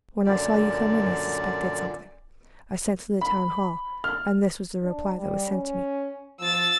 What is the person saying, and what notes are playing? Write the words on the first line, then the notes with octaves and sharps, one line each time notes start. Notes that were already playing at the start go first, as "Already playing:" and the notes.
When I saw you come in I suspected something; I sent to the town-hall, and this was the reply that was sent to me.
F#2 A#2 D3 D5
B5
F6
D4
G3
C#4
F3 E6 A6